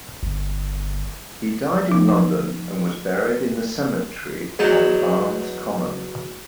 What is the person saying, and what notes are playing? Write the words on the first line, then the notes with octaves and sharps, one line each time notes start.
He died in London, and was buried in the cemetery on Barnes Common.
G1
F3 D#4
E2 F#3 D#4 A5